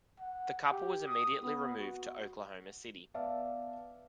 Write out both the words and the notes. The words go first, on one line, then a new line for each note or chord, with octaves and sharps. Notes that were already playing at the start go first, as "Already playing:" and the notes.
The couple was immediately removed to Oklahoma City.
F#5
G4
D#6
B3
F#4
B3 D5 E5 F5 A5